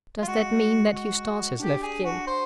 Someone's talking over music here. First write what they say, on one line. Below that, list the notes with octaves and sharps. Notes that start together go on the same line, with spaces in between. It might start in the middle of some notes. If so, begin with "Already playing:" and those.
"Does that mean that Eustace has left you?"
F4
G#3 F#4
F#4
D4 G4
G#4
F#4
C5